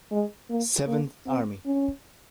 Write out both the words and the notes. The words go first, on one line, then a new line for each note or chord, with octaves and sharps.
Seventh Army.
G#3
A#3
A#3
C4
C#4